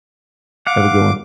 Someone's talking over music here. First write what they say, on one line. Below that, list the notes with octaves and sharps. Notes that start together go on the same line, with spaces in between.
Have a good one.
F5 F#5 D6